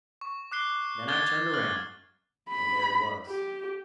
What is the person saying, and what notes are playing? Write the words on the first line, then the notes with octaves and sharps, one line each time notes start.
Then I turned around and there he was.
C#6
D6 F#6 C7 G7
D6 F6 F#6 G#6 A6 G7
F6 F#6 F#7
B5
G4